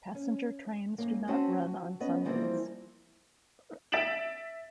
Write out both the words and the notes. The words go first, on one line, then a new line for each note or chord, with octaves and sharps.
Passenger trains do not run on Sundays.
C#4
F#2 A#3
C4 C#4 F#4 F#5 A5
F#4
B3 C#4 D#5
E3 F3 G3 A#3 C4
E5 A6 B6 D7 E7 F#7